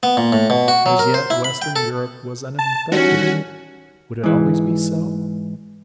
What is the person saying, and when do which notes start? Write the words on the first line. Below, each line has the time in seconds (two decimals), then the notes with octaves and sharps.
As yet western Europe was uninfected; would it always be so?
0.03 B3
0.17 A#2
0.32 A2
0.50 B2
0.68 F#4
0.86 F#3
0.99 A#4
1.14 C5
1.30 E4
1.44 B5
1.62 G5
1.76 A4
2.59 A5
2.92 D#3 E3 G3 C#4 F#4
4.24 G#2 E3